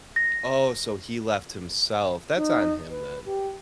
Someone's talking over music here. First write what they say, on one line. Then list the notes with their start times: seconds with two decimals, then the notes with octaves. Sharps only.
Oh, so he left himself, that's on him, then.
0.16 A#6
2.36 D#4
2.90 B4
3.25 G4